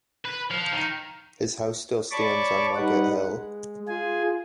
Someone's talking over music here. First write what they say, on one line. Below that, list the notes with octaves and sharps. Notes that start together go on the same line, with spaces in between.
His house still stands on Market Hill.
B4
F3
D#3
C#5 D5 A5 B5 C#6 D6
G3 D#4 B4 F#5
G#3
F4 G#4 G#5